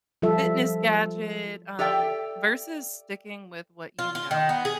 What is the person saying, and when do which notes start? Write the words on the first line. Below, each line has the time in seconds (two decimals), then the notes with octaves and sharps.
fitness gadget, um, versus sticking with what you know?
0.22 F3 G3 F4 A4 E5
1.79 G4 A4 D5 E5 G5
3.99 F4
4.15 F4
4.31 D#3
4.49 B3
4.65 G#4